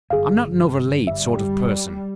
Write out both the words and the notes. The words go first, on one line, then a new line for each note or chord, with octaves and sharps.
I'm not an overlaid sort of person.
G1 F#2 G#4 F5
G3 E5